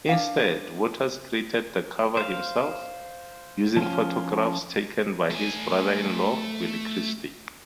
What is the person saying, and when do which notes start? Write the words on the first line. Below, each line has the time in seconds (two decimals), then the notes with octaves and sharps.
Instead, Waters created the cover himself, using photographs taken by his brother-in-law, Willie Christie.
0.09 D4 F5
2.17 C5 F5
3.77 F3 C#4 F4
5.31 A3 G#5